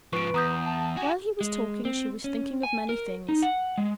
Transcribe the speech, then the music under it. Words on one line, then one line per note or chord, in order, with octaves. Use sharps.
While he was talking, she was thinking of many things.
G#2 F3 B4 C#6 D7
E2 A#5 D#6 G6
A5
F#4 G4 G#5
G#3
C4
C#4
G#5
A#4
D#4
F#5
G#3